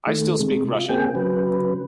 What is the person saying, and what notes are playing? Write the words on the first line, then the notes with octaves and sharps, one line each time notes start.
I still speak Russian.
D#3 A3
C3 G#3
F4
C#3 A#3 C4 G#4 G5
C#3 F#3 B4